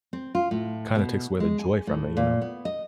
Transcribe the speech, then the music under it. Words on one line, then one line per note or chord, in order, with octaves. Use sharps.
kinda takes away the joy from it, you know?
C4
F4
A2
B2
G#3
G#5
A2
A#2
B3
D#5